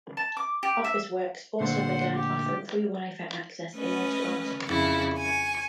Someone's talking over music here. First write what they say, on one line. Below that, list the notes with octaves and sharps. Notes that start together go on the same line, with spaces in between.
Officeworks also began offering free Wi-Fi access in all stores.
A5
D6
G4
E5
A#2 D3 A3 C5 F#5
G4
A3 C#4 B4 D#5
F2 C#3 E4 C#6
G#5 C#6